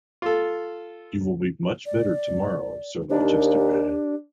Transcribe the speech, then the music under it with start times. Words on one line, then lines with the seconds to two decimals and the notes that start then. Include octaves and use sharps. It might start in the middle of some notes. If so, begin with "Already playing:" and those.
You will be much better tomorrow, Sir Leicester.
0.22 F4 A4
1.86 D5
3.10 D#2 D4 G4